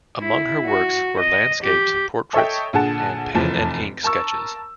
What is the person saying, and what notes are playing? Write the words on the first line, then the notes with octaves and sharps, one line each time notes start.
Among her works were landscapes, portraits and pen and ink sketches.
E4
F#4
D#5
G4
A4 C#5 D#5 E5 G5
A#1 D3 G#4 F#5 A5
F1 E2 F3 A5
A#4 A5 C#6 E6